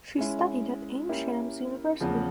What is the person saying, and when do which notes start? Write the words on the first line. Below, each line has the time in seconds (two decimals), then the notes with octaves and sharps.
She studied at Ain Shams University.
0.18 G#3 C#4 E4
1.09 A#3 C#4 E4 G4
2.00 E2 C#3 F3